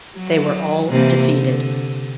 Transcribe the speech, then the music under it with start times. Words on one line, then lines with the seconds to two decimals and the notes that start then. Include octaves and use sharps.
They were all defeated.
0.17 F#3
0.90 C3 E3 A#3
1.29 D3